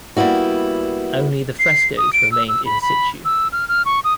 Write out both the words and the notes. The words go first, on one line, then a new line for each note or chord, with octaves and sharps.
Only the frescos remained in situ.
G3 A#3 B3 E4 F#4
C7
D#6
D7
E6
E6
B5
B5
E6
F6
F6
C#6
D#6